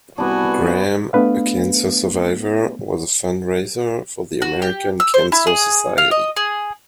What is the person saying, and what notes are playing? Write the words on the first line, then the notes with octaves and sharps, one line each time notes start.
Graham, a cancer survivor, was a fundraiser for the American Cancer Society.
C2 B3 D4 F#4 G#5
A3 B3 D4 B4 F5
F#4
G4
E6
C5
E4
G#4
F5
D#5
G#4